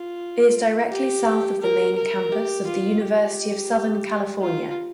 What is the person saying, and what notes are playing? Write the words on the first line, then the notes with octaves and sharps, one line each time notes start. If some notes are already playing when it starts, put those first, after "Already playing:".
It is directly south of the main campus of the University of Southern California.
Already playing: F4
G4
A#4
A#4
G4
F4
G4
F4